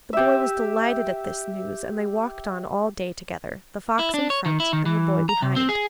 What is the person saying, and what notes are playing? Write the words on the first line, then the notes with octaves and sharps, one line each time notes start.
The boy was delighted at this news, and they walked on all day together, the fox in front, and the boy behind.
G4 E5
E4
D4
C#5
D#3
E4
D#3
E3
A#5
C3
C4
G#4